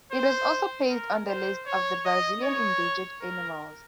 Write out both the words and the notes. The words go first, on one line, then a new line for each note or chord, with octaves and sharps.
It was also placed on the list of the Brazilian endangered animals.
C5
A#4
C5
C#5
D#5
C#5
A#4